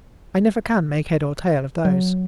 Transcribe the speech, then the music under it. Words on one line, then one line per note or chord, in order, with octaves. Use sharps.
I never can make head or tail of those.
F#3